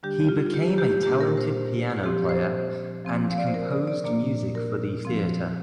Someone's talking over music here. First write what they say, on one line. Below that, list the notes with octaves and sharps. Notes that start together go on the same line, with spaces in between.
He became a talented piano player and composed music for the theater.
D3 G3 D4 G4
F4
F4
G4
G4
A#2 A#3 D4 G4
A#4
C5
F3 C4 G4
C5
F3 C4
F5
D5
C5
A#4
D5
D5
A#2 A#3 D4 D5
A#4
F3 C4